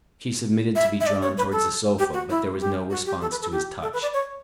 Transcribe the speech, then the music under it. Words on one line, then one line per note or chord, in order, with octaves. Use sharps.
She submitted to be drawn towards the sofa, but there was no response to his touch.
E5
E5
D5
C#5
B4
A4
G4
F#4
E4
G4
F#4
G4
A4
B4
A4
G4
A4
B4
D5
C#5